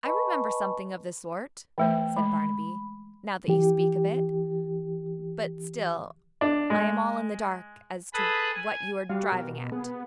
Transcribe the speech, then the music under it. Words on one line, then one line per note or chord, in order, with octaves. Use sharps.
"I remember something of the sort," said Barnaby, "now that you speak of it, but still I am all in the dark as to what you are driving at."
B4 D#5 G#5 A5 B5 C#6
E3 A3 C5 G5
G#3 B5
E3 G4
D4
G#3
G#4 A4 B4 B5 D#6 F#6
G#5
G3 F#4 G4 F5
B2 A#4
B3 G#4